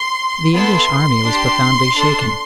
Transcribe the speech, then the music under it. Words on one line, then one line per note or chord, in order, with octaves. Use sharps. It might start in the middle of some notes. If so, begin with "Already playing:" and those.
The English army was profoundly shaken.
Already playing: C6
B3 E4 A4 C6
D4
G4
D4 A4